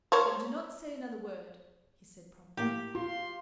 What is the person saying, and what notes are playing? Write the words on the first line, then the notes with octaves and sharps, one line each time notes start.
"Then do not say another word," he said, promptly.
A#4 C5 C#5
A2 A#3 G4
F4 C6